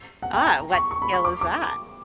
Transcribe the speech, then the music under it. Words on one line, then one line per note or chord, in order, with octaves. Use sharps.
Ah, what skill is that?
F#5
G5
A#5
C#6
C#6
B5
C#6
D6
D6